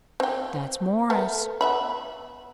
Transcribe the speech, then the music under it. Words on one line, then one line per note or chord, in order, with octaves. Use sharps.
That's Morris.
C4 G5
A3 B3 A#4
B3 E5 B5